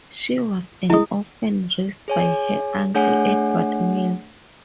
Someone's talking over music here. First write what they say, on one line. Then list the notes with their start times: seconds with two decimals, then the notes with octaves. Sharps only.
She was an orphan raised by her Uncle Edward Mills.
0.90 D3 G#3 E4 D#6
2.08 G#4 C#5 G#5
2.95 A3 D4 G#4 C#5 F#5 G#5